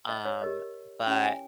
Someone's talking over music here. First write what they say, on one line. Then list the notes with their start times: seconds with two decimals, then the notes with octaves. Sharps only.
um, but
0.09 D#5
0.25 C#5
0.41 G4 A#4 C#5 D#5
1.07 C#4 E4 G4 C#5 G5
1.23 G#5